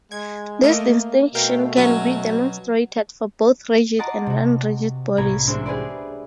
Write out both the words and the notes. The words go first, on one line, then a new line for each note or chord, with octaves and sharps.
This distinction can be demonstrated for both "rigid" and "non rigid" bodies.
G#3 G#6
A3 A#3 A#4 D#5
B2 A3 A#4 F5 G5
F#3 C#4
D#5 F#5 A5 A#5 C6 D6
C3 F#4
C2 A2 B3 A#5 B5 G#6
A1 G#3 C4 D4 C5 E5
G4 G#4 B4 C5 D5